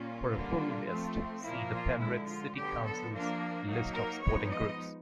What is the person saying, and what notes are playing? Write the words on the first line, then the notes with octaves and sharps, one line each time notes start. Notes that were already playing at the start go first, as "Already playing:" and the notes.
For a full list see the Penrith City Council's list of sporting groups.
Already playing: A#2 G3 A#3 C#4 F4
D3 G3 A#3
F3 A3 C4
A#2 F3 A#3 E4
F4
D3 F3 G#3 E4
F4
D3 F#3 B3 G4
A4
F3 A#3 D4
F#3 A#3 D#4
A#4
F3 G#3 B3 D#4 C#5
D#5